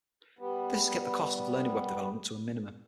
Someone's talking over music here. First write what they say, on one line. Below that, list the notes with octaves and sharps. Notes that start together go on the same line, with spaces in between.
This has kept the cost of learning web development to a minimum.
G3 B3